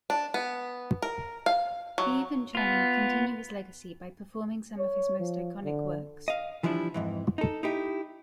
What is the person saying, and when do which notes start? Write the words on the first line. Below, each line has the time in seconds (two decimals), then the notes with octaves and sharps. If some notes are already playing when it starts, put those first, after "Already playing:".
Bibbe and Channing continue his legacy by performing some of his most iconic works.
0.10 D4
0.34 B3
1.02 A#4
1.46 F5
1.98 F#3
2.55 B3 F4
4.79 C#5
5.20 F3
5.64 D3
6.28 D#5 F5
6.63 E3 F3 G3 D4 E4
6.94 F2 G#2 E3
7.38 D#4 A4
7.63 D#4 E4 G4